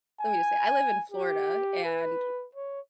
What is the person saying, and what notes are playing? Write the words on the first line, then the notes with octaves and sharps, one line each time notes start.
let me, just, say, I live in Florida, and
G#5
G4
B4
C#5